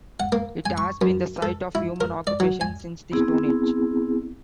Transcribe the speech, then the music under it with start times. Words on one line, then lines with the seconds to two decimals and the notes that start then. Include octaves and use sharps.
It has been the site of human occupation since the Stone Age.
0.20 F#5
0.32 A#3
0.66 G#5
0.78 C#6
1.01 F#2
1.42 A4
1.75 E4
2.01 A#4
2.27 D5
2.40 F#3
2.61 G#5
3.12 B3 C4 E4 G#4